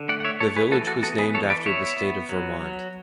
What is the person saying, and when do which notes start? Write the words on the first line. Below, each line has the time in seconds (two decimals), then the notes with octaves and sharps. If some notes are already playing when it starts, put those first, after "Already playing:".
The village was named after the state of Vermont.
Already playing: D3
0.09 A3 D5 F#5
0.20 F#5
0.25 C#5 E5
0.40 A3 A4 C#5
0.56 G#4 B4
0.71 E3 F#4 A4
0.87 F#4 A4
1.03 B3 F#4 A4
1.19 G#4 B4
1.34 E3 A4 C#5
1.50 B4 D5
1.66 B3 C#5 E5
1.97 B3
2.29 F#3
2.60 F#3